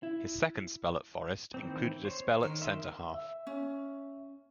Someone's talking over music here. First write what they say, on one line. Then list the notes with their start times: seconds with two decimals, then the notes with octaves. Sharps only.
His second spell at Forest included a spell at centre-half.
0.03 E4
1.54 D#3 E3 C4
2.05 C5 C#5
2.43 D#3
2.62 E5 C6
3.14 E5
3.47 C#4